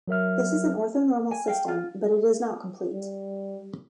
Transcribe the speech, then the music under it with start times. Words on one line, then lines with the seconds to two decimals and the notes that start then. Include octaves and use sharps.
This is an orthonormal system but it is not complete.
0.08 F#3 A#4 E5 F6
1.31 G#5
1.47 F5 G5
1.68 F4
2.93 G3